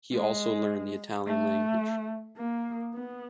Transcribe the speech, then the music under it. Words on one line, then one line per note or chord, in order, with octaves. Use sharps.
He also learned the Italian language.
G#3
A3
A#3
B3